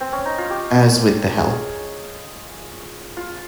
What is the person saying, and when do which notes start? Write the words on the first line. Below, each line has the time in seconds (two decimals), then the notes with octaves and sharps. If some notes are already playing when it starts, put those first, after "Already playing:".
As with the Help!
0.00 C4
0.12 C#4
0.25 D#4
0.38 F4
0.50 G4
1.39 G#4
3.17 F4